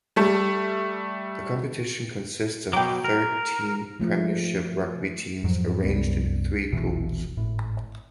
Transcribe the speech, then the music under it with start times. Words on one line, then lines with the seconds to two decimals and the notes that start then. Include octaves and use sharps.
The competition consists of the thirteen Premiership Rugby teams arranged in three pools.
0.16 G3 A3
2.73 B2 F#3 G5 D6
3.04 A#4
4.00 F3 A3
5.44 F2 G#2 F3 F#3
5.83 C2 F#2 G3 B3
6.71 E1 A#1 B2 E3
7.37 G#1 A2